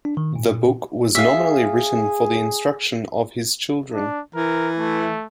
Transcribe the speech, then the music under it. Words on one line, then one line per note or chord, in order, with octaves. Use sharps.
The book was nominally written for the instruction of his children.
D4
D#3
A#2
G#4 E5 F5
D4
E3 A#4
A3